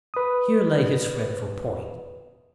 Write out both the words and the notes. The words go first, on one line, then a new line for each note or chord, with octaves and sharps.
Here lay his fretful point.
B4 D#6